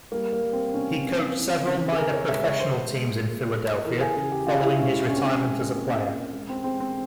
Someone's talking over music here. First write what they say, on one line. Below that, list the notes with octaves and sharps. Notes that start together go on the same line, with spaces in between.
He coached several minor professional teams in Philadelphia following his retirement as a player.
G3 A#3
A#3
G3
C4
C3 C#4
C3
E3
C#3
G#4
C#3 A#4
C#5
G#3 E5
C#5
G#3 C5
G#3
A#2
A#2
E3 A#4
G#4
C#3 G#4
G4
C#3 F4
E4
G#3 C#4
E4
G#3 C#4
C4
C#4
G#3
A#2
A#2
G#3
C4
G#3 C4
C4